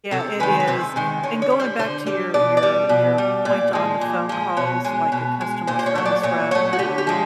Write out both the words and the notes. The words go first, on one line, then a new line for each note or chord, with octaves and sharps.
Yeah, it is. And going back to your your your point on the phone calls, like a customer service rep,
C3 A4
D#3 G#3 B4
B4
C3 C5
D#3 G#3
D3 C#5
C#5
G3
C5
D3 C5
G3
B2 D5
D5
G3
B2
G3
A#2 D5
F3 G#3
A#2
F3 G#3
B2 C#5
G#3
B2
G#3
A#2 C5
C5
C#5
F#3 A3
D5
A#2 C#5
F#3 A3 C#5
F#4
D3 G4
G4
F3 G#3